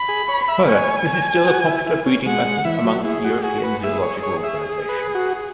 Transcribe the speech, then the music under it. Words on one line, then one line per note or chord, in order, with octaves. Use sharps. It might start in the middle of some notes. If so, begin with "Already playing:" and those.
However, this is still a popular breeding method among European zoological organizations.
Already playing: B5
G#4
C#5
E5
C#5 G#5
F#4
E4
E4
C#4
G#3 F#5
G#3
E3 E5
F#3
E4 G#4
F#4
F#4 G#4
B4
G#4 E5
C#5
C#5
E5
B4
F#4